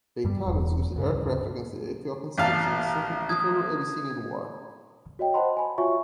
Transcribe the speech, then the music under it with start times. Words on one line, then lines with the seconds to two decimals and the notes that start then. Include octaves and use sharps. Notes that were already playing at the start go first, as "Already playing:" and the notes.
The Italians used aircraft against the Ethiopian cities in the Second Italo-Abyssinian War.
0.25 G2 G3
0.46 E1 E2
0.96 D2 G2 C#3
2.38 A1 F5 A5
3.29 D#6 G#6
5.19 F#4 C#5 D#5 G5
5.34 C5 D#5 F#5 A5 B5 C6
5.57 G#5 B5
5.78 F4 F#4 C#5 E5 G#5 C#6